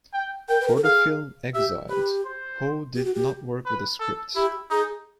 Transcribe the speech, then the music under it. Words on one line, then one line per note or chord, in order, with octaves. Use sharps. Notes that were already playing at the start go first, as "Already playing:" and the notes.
For the film "Exiled", Ho did not work with a script.
G5
A#4 G5
B4
A#4
A4
G#4 F5
G4 E5
G4 B4
C5
G4
F#4
G4
B4
A4
E4 G4
D#4 G#4